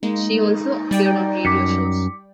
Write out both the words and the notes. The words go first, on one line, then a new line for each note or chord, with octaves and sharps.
She also appeared on radio shows.
G#3 A#3 D#4
G3 D5 G5
F#2 D6 B6 C#7